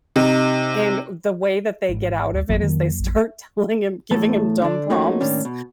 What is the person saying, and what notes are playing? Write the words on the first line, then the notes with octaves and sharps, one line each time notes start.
and the way that they get out of it is they start telling him giving him dumb prompts,
C3 D#4
G#1
D2
G#1 F2 F#3 A#3
D#3
A1
E2 A2 A3 A4
D3 D4
F3 A3 A#3 C#4 D#4 F#4
A2 D#3 A#3 C#4 D4
B2